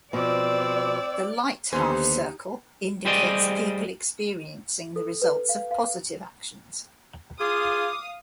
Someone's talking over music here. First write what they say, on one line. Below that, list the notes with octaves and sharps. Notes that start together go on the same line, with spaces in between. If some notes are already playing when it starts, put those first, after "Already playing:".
The light half-circle indicates people experiencing the results of positive actions.
B2 F3 C4 D5 E6
D#2 D3 B3 D#4 G4 C5 G#5
G3 G4 G#4 C5 D5 D#5
A4
B4
F5
F5
F4 G#4 F5 D6 D#6